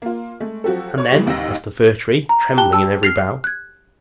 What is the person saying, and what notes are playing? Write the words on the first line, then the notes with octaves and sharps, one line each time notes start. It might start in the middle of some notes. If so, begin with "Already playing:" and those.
"And then?" asked the Fir Tree, trembling in every bough.
A#3 F4
G#3 A3
F3 F#3 F#4 G4 A4
C#5 C#6
C#3 E3 G3 G#3 B3
A1 D#2 D#4 E6 A#6
A#5
G4 G5 A5 F#6 G7
A5 E6
F6 C7 F7
F#6 G#6